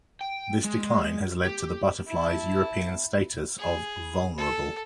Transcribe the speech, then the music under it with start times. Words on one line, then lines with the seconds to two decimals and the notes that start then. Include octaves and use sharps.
This decline has led to the butterfly's European status of "vulnerable".
0.21 G5
0.64 G#3
1.45 G4
2.08 E4 A5
3.58 G#4
4.37 A4